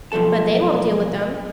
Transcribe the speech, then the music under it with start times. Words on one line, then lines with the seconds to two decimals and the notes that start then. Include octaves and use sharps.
But they won't deal with them.
0.12 B1 F3 G#3 A4 A5